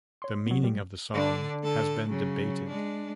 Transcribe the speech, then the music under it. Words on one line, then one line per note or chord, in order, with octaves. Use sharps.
The meaning of the song has been debated.
C#5 C6
F#3 B3
A#2 G3
D3 D4
D3 A4
C#3 F#3
G#3 D4